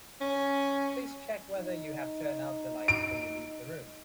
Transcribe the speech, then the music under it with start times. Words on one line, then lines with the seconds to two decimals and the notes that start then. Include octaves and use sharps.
Please check whether you have turned out the lights when you leave the room.
0.21 C#4
1.55 D#4
2.88 D7